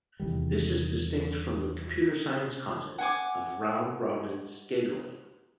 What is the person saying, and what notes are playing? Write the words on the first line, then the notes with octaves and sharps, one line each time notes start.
This is distinct from the computer science concept of round-robin scheduling.
E2 C3 D#3 G3
F#5 G#5 D6